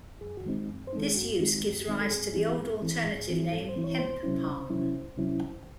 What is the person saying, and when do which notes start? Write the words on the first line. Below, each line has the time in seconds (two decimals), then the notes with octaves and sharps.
This use gives rise to the old alternative name "hemp-palm".
0.21 F#2 G#4
0.37 F#4
0.45 D#3 G#3 C4 D#4
0.69 F#2
0.87 C5
0.93 D#3 G#3 C4 D#4 A4
1.06 G#4
1.15 F#2 F#4
1.39 D#3 G#3 C4 D#4
1.64 F#2
1.87 D#3 G#3 C4 D#4
2.01 A4
2.10 G#2 G#4
2.34 E3 C4 E4
2.58 G#2
2.82 E3 C4 E4
3.04 G#2 G#4
3.29 E3 C4 E4
3.52 G#2 A4
3.68 C5
3.76 E3 C4 E4
3.84 C#5
3.99 C2 C5
4.23 C3 F#3 C#4 E4
4.47 C2
4.70 C3 F#3 C#4 E4
4.94 C2
5.17 C3 F#3 C#4 E4
5.42 C2